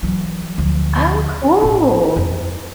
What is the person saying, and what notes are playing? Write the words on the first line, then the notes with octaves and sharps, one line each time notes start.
Oh, cool!
E3 F#3
D2 F3
A1 A3
F2